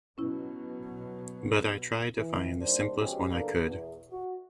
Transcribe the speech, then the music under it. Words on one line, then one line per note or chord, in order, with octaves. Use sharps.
But I tried to find the simplest one I could.
B2 F#3 C#4 E4
E3
D#2 G3 D4 C5
B2 F3 G#3 C#4 G4
E2 E3 A#3 D4 A4 A#4
E2
F#4